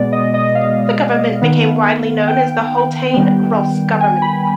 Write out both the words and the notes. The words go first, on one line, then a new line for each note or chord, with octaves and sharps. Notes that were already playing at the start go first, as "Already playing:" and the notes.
The government became widely known as the Haultain-Ross government.
Already playing: B2 G#3 B3 D5
D#5
D#5
F5
D#3 B3
G5
D#3 G3 B3
G#5
B5